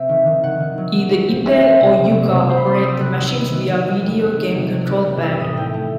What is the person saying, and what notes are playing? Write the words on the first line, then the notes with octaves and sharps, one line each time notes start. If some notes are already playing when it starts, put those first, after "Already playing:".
Either Ippei or Yuka operate the machines via videogame control pad.
Already playing: C3 C4 E5
D#3
D#3
D#3 F#5
D#3
F#3
D#3
F#3
C4
C4 E5
C4
C3
C3
F#3
C3
C4 C5
B5
C4 C6
D#6
C4 E6
C3 F#6
D#3 E6
B3
D#3
D#3
G3
G3
C4 F#6
D#3
C3
C3
D#3
C3
E3 E6
A2 D#6
A3 G5
A3